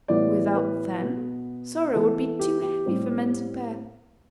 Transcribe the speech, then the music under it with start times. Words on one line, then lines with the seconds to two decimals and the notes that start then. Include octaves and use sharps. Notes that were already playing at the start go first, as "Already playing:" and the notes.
Without them, sorrow would be too heavy for men to bear.
0.08 A2 E3 G3 B3 D5
0.55 B4
1.01 B2 B3
1.93 E3 B3 A4
2.39 G4
2.62 G4
2.86 A2 G3 C4